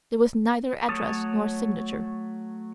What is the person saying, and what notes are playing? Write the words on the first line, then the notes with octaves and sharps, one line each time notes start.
There was neither address nor signature.
F#3 A3 C#5 A5 D#6